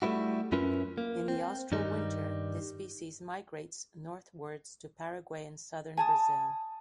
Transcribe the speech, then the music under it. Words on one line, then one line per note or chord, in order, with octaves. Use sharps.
In the austral winter, this species migrates northwards to Paraguay and southern Brazil.
G3 A3 B3 E4 F#4
F#2 C#4 E4 F4 A#4 B4
A#3
C4
G2 D#3 G3 D#4
G#5 A5 D#6